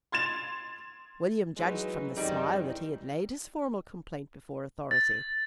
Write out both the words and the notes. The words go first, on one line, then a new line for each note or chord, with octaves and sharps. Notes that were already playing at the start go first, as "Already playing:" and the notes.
William judged from the smile that he had laid his formal complaint before authority.
C6 G#6 A6 E7 F7
E3 F#3 G#3 D#4
F#2 D#3 G3 C4 D#4
A6